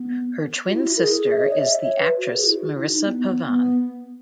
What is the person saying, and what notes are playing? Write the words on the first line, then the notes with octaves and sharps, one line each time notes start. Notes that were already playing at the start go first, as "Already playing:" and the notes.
Her twin sister is the actress Marisa Pavan.
Already playing: B3
F#4
E4
A#4
G#4
E5
D#5
C#5
D#5
E5
C#5
B4
F#4
A#4
G#4
E4
F#4
E4
D#4
B3
B3
B3